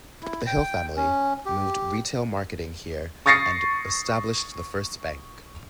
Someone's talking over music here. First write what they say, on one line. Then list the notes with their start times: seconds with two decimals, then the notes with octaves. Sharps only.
The Hill family moved retail marketing here and established the first bank.
0.22 E4
0.47 G5
0.96 C#4
1.46 G4
3.26 C#6 D#6 A6 A#6 C7 C#7